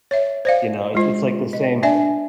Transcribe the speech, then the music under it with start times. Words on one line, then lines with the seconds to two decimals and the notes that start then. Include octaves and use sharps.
you know? It's it's like the same
0.11 C#5 E5
0.45 C5 D5 F5
0.95 G#3 F4 C5
1.53 D#5
1.83 D4 D5 E5 G#5